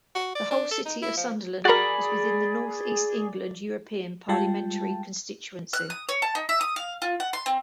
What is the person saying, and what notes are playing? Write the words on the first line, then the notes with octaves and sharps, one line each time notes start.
The whole City of Sunderland is within the North East England European Parliamentary constituency.
F#4
D5
D4
A4
D#4
E4
F3
F#4 G#4 A#4 D5 B5
G3 G#3 F4 G5 A5
F#6
D#6
C#5
A5
D#4
E5
D#6
F5
F4
F#5
C6
C4